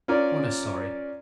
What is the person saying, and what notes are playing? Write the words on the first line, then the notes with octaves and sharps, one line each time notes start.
One is sorry.
C#4 F4 A#4 D5